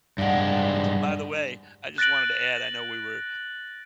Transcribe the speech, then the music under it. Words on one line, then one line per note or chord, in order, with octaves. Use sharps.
By the way, I just wanted to add, I know we were
G2 G#3 D5 F#5
F#6 A6 A#6 D7 F#7